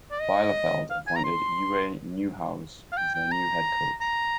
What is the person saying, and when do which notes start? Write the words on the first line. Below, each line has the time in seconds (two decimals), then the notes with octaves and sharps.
Bielefeld appointed Uwe Neuhaus as their new head coach.
0.11 D5
0.21 D#5
0.90 F5
1.07 G#5
1.16 A#5
1.24 C6
2.92 F5
2.97 G5
3.14 G5
3.32 A#5
4.01 A#5